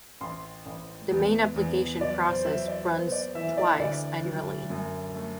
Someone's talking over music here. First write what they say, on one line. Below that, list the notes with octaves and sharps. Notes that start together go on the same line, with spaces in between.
The main application process runs twice annually.
A1 C6
A1
E2
E2
F#3 D5
C5
F#3 E5
D5
B3 C5
D5
E3 E5
D5
D2 D5
F#3
F#2
A3